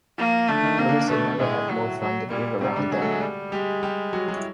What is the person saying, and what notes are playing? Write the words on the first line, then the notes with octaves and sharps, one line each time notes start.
Louis had never had more fun than being around them.
F3 A#3 F4
D3 A3 D4
D#3 D#4
D#3 A#3 D#4
D3 D4
D3 D4
B2 A3 B3
A2 G#3 A3
F#3
F#3
A#2 G3 A#3
C3 G3 C4
D3 D4
F#3 G#3 G#4
A3 A4
G#3 G#4
G3
G3 G#3 G4
G3 G4
F#3 F#4
F#3 F#4
E4